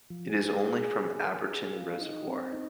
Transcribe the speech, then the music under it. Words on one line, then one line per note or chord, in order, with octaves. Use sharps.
It is only from Abberton Reservoir.
F3
G#4
G#4
G#4
A#4
G#4
F4
D#4
C4
D#4